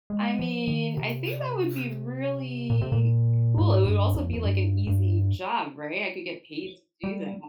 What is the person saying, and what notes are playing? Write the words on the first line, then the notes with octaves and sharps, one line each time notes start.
I mean, I think that would be really cool. It would also be, like, an easy job, right? I could get paid to do that.
G#3
F3
D#3
C3
A#2
C3
A#2
G#2
G2
F2
F2
G2
G2
G3